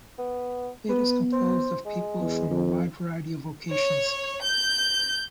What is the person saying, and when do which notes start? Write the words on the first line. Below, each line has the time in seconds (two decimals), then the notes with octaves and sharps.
It is composed of people from a wide variety of vocations.
0.18 B3
0.89 B3 B4
1.33 C5
1.86 G#3
2.20 E2
2.50 F2
3.72 C#5
4.41 G6